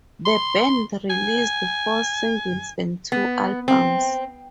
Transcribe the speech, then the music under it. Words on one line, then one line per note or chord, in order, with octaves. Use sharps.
The band released four singles and two albums.
C6
G#5
B3
C4